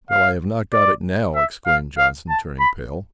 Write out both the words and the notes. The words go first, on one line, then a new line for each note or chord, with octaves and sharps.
"Well, I have not got it now!" exclaimed Johnson, turning pale.
F5
D5
E5
F5
F5
A5
B5